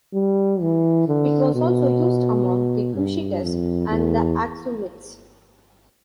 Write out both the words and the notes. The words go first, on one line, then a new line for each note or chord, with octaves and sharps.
It was also used among the Kushites and the Aksumites.
G3
E3
D3
B2
G2
F2
E2